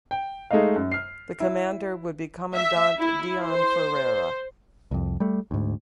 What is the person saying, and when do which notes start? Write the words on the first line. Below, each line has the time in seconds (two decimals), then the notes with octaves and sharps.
The commander would be Commandant Deon Ferreira.
0.11 G5
0.51 G#3 A3 D#4 D#5 F5
0.76 F#2
0.92 F6 C7
1.40 E4
2.54 E5
2.98 E4
3.43 C5
4.91 C2 F2
5.20 G3 A3
5.51 D2 G#2